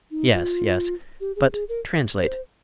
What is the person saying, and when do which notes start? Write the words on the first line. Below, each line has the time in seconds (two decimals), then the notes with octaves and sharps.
"Yes, yes--but translate."
0.11 D#4
0.33 F4
1.21 G4
1.36 G#4
1.53 G#4
1.69 A#4
2.18 C5